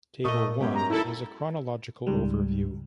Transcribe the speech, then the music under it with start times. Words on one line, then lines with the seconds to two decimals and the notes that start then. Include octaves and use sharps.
Table I is a chronological overview.
0.25 A#2 A3 A#4 D#5 C#6 E6
0.60 F#2 G#3 B3 G4
0.75 A#5
0.90 D#4 E4 A4
2.07 C#2 G#2 G3